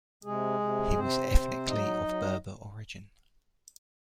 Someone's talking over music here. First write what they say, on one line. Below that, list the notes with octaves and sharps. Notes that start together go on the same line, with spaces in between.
He was ethnically of Berber origin.
C3 G#3 G#4
C3
C3 C4 C5
C3
F#3 D#4 D#5
F#3